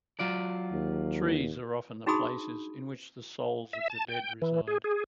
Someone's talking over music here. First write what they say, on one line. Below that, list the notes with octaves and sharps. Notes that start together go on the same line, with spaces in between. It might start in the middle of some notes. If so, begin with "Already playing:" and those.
Trees are often the places in which the souls of the dead reside.
F#3 F4 D5
D#2
D4 D#4 F#4 G#4 B5 D#6
E5
A5
G5
E3
G#4
G#4